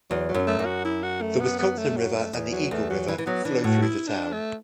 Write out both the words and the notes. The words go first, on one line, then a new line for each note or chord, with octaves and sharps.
The Wisconsin River and the Eagle River flow through the town.
E2 F#3
F#3
F#2
A3
F#2
F#4
E4
F#4
A3
B3
B3
A3
F#3
A3
E2
F#3
E2 A3
F#3
E3
E3
F#3 B3
E3 D4
A2 F#4
E4
D4
A3